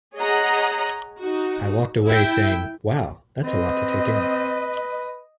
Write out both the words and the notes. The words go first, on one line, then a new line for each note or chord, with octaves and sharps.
I walked away saying, 'Wow, that's a lot to take in.
G#4 C#5 D#5 F#5 A#5
D#4 F#4
E4 E5 G5
C4 B4 D#5